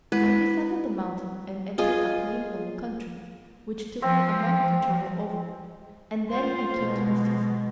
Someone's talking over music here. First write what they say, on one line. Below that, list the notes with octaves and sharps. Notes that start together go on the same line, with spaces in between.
I descended the mountain, and entered a plain level country, which took me a month to travel over, and then I came to the sea- side.
G#3 E4 B4
F4 G#4 D#5
F3 C4
F4 C5
B2 G#3